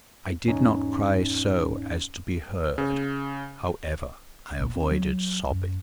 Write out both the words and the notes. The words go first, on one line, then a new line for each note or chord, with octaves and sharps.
I did not cry so as to be heard, however; I avoided sobbing.
E2 G#2 C#4 D#4
C#3
A#1
C4
F#3
F#2